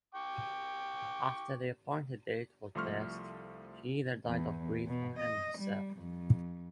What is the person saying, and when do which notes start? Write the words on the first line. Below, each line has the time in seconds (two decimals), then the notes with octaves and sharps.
After the appointed date was past, she either died of grief or hanged herself.
0.15 G5 C#6 D6
2.75 C2 F3 A3 C6 C#6 F6
4.26 E2
4.87 B2
5.19 D#5
5.59 G3
5.97 F2